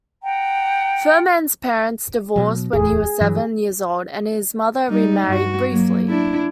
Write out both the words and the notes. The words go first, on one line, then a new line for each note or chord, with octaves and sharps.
Fuhrman's parents divorced when he was seven years old, and his mother remarried briefly.
F#5 G5 A#5
B2 F#3
D1 E2 A2 G#4
G2 E3 F#3
G3 D#4
G2 F#4
F#3 A#3
D4 E4